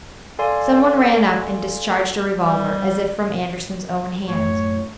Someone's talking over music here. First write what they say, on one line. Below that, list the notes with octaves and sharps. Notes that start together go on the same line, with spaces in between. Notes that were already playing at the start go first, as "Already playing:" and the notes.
Some one ran up and discharged a revolver as if from Andersen's own hand.
A4 D5 F5 G#5 C6
G3
F#2 A2 C#5